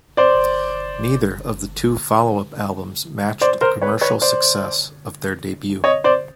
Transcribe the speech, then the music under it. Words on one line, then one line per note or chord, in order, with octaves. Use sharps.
Neither of the two follow-up albums matched the commercial success of their debut.
C5 D5
C5 D5
A#4 C5
B4 C#5
B4 C#5
C5 D5
C#5 D#5
C5 D5